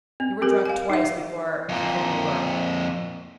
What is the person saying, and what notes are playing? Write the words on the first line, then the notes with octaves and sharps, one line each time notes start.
You were drunk twice before and couldn't work.
C4
C4 G4 G#4 A#4
F5 G#5
D#4 E5
F2 A#2